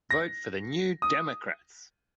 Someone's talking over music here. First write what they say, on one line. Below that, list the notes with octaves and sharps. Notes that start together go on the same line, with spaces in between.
Vote for the New Democrats!
A#6
D#6